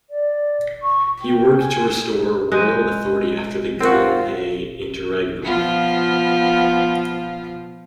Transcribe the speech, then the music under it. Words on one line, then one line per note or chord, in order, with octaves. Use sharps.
He worked to restore royal authority after the Gong He interregnum.
D5
C#6
G5
G#5
G#3 F#6 G6 D#7
C4 F4 F#4 A#4 C5
F3 B3 F4